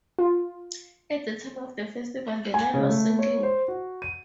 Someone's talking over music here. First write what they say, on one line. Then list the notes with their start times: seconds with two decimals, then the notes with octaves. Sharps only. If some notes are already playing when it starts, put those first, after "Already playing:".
At the time of the festival, the Nile was sinking.
0.19 F4
2.54 G#5
2.74 C#3
2.89 A3
3.19 C#5
3.43 C5
3.68 F#4
4.02 D#7